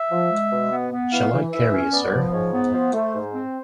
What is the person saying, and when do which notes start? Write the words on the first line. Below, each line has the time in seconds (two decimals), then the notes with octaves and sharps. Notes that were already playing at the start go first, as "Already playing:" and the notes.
Shall I carry it, sir?
Already playing: E5
0.11 F3
0.32 G#3
0.51 B2
0.72 B3
0.92 B3
1.12 E3 F5
1.32 E3
1.53 E3 E5
1.73 C#4
1.93 B3 D5
2.13 F3
2.33 G#2 C#5
2.54 B3
2.73 F3 C5
2.94 A3
3.14 G#2
3.34 C4